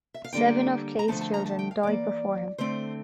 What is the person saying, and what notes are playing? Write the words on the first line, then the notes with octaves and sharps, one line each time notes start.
Seven of Clay's children died before him.
E5
F5
D3 G3 A#3 G5
A#5
D3 F3 A3 C4 A5
A5
A#5
A5
G5
F5
E3 A#3 D5
D3 A3 C4 C5